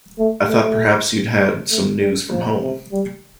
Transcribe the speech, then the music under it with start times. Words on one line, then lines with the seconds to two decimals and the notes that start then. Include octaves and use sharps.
I thought perhaps you'd had some news from home.
0.19 A3
0.49 A3
1.71 A3
2.01 G3
2.31 F3
2.61 C3
2.92 G3